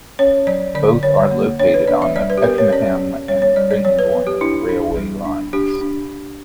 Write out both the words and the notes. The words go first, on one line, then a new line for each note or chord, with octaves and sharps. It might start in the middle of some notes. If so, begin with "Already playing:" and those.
Both are located on the Pakenham and Cranbourne railway lines.
C#4 C#5
F#3 D5
D3 D5
D3 C#5
A#3
D4 C#5
B4
D4 D5
E5
G3 D5
B4
G4
B3 A#4
C#5
C#4 D5
C#4
G3 C#5
C#5
G3 D5
D5
F#3 C#5
B4
B3
G4
D4 E4
D4
G3
D4
D4 G4
D4